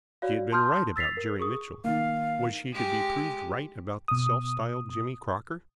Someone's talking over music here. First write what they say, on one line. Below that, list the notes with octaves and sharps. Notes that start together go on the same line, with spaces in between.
She had been right about Jerry Mitchell; was she to be proved right about the self-styled Jimmy Crocker?
F#4 C#5 D5 F5
A5 C6 D#6 F6 G6
E6 A6 B6 C7 F7
A#4
G#4 C#6 D#6
D#3 A#3 F5
G#3 G4
B2 D#6